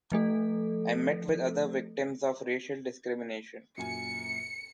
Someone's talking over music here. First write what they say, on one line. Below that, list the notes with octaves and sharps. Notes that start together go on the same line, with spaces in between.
I met with other victims of racial discrimination.
F3 A3 A4
F#2 A#2 G#5 C#7